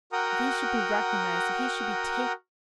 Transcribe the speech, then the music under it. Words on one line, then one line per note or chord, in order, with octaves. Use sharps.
If he should be recognised! If he should be taken!
F#4 A#4 F#5 G5 A#5 D#6